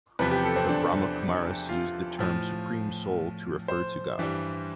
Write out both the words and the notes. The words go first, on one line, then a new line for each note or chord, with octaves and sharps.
The Brahma Kumaris use the term "Supreme Soul" to refer to God.
E2 C3 F3 B4
G4
A4
C4
D4
F4
A2 F3
C5
G2 E3 G3